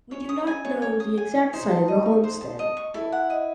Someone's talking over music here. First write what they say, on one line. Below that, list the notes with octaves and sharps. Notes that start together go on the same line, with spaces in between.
We do not know the exact site of the homestead.
C#4 C#5
D#6
G#5
C#5
C#5
D#6
G#5
C#5
D#4 C5
A5
D#5
C#6
C5
A5
D#5
C#6
E4 A4
F#5
D#5